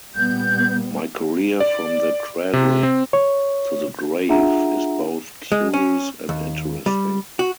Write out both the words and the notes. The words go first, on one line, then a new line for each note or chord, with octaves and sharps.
My career from the cradle to the grave is both curious and interesting.
A#2 G3 B3 G6
D5
C3
C4
C#5
D4 F4 G#4 E5 F#5 A#5
G#3
C#4
D#2
G3
F#4